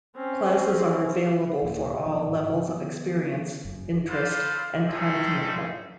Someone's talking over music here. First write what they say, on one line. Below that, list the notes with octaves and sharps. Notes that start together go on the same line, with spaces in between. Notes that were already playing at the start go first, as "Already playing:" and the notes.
Classes are available for all levels ofexperience, interest, and time commitment.
C4 C#4
D2 A#2
B2 F3
G#2 D3 F3
C#3
D#3 B3
F#1 F#2
A4 B4 C5 D5 F5
C4 C#4 D#4 E4 G#4 A4